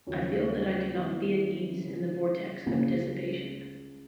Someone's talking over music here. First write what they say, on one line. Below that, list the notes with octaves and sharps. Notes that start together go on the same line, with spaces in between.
I feel that I cannot be at ease in the vortex of dissipation.
D#2 C#3 F#3 C#4
D#3 F#3 B3 E4
C#3 G#3 C#4 G#4
C#2 C#3 G#3 A#3 C#4